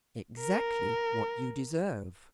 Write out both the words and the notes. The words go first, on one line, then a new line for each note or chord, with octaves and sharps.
Exactly what you deserve.
A#4